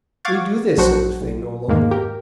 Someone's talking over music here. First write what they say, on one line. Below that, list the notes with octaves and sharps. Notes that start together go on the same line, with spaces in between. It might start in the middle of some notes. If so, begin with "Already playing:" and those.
We do this sort of thing no longer.
F5 F#5 C#6 D6 G#6 A6
A#1 F#3 D4 F#4 C5 F#5
B1
E2 G#2 D#3 G#3 A#3
G4 A#4 G5